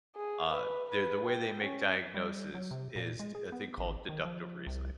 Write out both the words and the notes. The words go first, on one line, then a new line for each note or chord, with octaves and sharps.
uh, they're the way they make diagnosis is a thing called deductive reasoning.
G#4
B4
B4
G5
C#4
G3
F#3
C3
A#2
G#3
G#4
B3
G#1
D#3
F3
C2